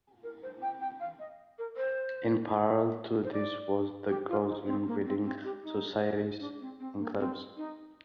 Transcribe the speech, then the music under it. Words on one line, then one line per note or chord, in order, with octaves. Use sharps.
In parallel to this was the growth in reading societies and clubs.
A#4
C5
G5
G5
F5
D#5
A#4
C5
C5
D5
G4
F4
D#4
C4
A#3
C4
C4
G4
D#4
D4
C4
C4
A#3
C4
D#4